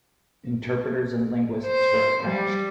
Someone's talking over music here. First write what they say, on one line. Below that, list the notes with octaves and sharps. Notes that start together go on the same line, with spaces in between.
Interpreters and linguists were attached.
C5
G3